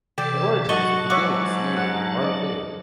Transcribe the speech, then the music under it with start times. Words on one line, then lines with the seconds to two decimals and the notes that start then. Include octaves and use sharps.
The origins of the gate's name are unclear.
0.18 C3 E3 A4 D5 G5
0.69 F#3 F#4 A4 D#5 A5 C#6
1.10 G#2 C#5 E5 F#5 C#6 D6
1.77 F#5
2.22 D5 D#5